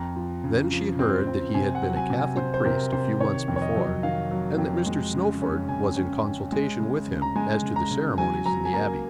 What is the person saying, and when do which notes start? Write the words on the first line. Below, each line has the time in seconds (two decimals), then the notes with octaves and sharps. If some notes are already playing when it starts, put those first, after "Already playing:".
Then she heard that he had been a Catholic priest a few months before, and that Mr. Snowford was in consultation with him as to the ceremonies in the Abbey.
Already playing: F2 A#5
0.16 F3
0.44 C#3
0.72 F3
0.99 C4
1.27 C4
1.54 C3 G#5
1.75 F#5
1.82 F#3
1.96 G#5
2.10 C3
2.17 G#5
2.37 C3 C5
2.54 C5
2.65 C3 A#4
2.92 C3 C5
3.21 D#3 C#5
3.48 F2
3.56 C#5
3.62 D#5
3.76 F#3
4.03 D#3 F5
4.31 F#3
4.58 F2
4.86 G#3
5.14 C#3
5.42 C#4
5.69 C#3 G#5
5.97 C#4
6.25 C#4
6.52 G#3
6.80 C#3
7.08 C#3
7.22 A#5
7.36 G#3 G#5
7.63 C#3
7.76 A#5
7.91 C#3
8.18 F#3 G#5
8.46 F#3 A#5
8.65 G#5
8.73 A#3 A#5